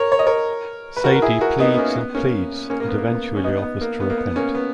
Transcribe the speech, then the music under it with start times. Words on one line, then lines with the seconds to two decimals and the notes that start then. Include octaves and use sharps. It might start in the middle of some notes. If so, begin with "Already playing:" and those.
Sadie pleads and pleads and eventually offers to repent.
Already playing: A#4 C#5
0.12 C#5
0.19 D#5
0.27 A#4 C#5
0.97 B4
1.04 F#4 A#4
1.15 A#4
1.22 E4 G#4
1.41 F#4 A#4
1.60 B3 D#4
1.74 B3
1.78 A#3 C#4
1.96 B3
2.15 A#3 C#4
2.70 A#3 C#4
2.80 A#3
2.88 B3
2.98 A#3
3.07 B3
3.36 C#4
3.44 B3 D#4
3.62 B3
3.81 A#3
4.00 B3
4.10 A#3
4.17 B3
4.36 A#3 C#4
4.55 B3